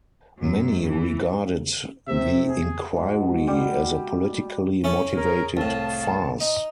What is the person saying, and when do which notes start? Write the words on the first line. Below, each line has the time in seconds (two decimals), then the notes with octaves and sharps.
Many regarded the inquiry as a politically motivated farce.
0.39 F#2
0.86 E3
2.08 C3 E5
2.48 G#4
2.94 G#2 B2
3.47 G3 B3 G4
4.84 C#4 E4 A4
5.15 G#4 A#4
5.57 C2 A2 G#4 F5 A5
6.41 D#4